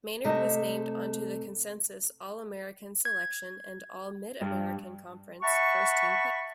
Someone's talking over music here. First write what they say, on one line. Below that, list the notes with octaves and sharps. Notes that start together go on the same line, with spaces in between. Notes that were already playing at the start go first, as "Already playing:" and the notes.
Maynard was named onto the consensus All-American selection and All-Mid-American Conference first-team pick.
C3 A3 D#5
G#6
G2
E5 F#5 A5 B5 C#6